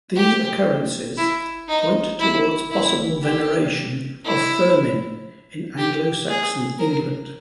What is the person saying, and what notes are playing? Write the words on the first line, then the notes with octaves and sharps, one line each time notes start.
These occurrences point towards possible veneration of Firmin in Anglo-Saxon England.
G4
E4
D#4
E4
E4
G4
E4
G4
G#4
A#4